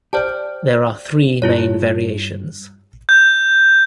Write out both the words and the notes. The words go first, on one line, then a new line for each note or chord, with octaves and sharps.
There are three main variations.
G4 C5 D5 A5
G2 E4 F4 C#5
G6